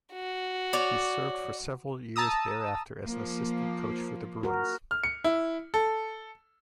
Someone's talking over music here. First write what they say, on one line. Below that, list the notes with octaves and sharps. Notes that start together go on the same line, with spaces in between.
He served for several years thereafter as an assistant coach for the Bruins.
F#4
C#5 D5
A5 A#5 D#6 E6
F3 A#3
F#4 A#4
F6
C#7
E4
A4